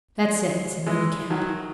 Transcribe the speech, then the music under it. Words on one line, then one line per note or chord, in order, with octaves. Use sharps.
"That's it," said Manicamp.
E3 G#3
D#3 F#3